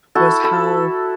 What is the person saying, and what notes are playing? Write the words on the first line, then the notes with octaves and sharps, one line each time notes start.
was how,
E4 F#4 A4
A4 B5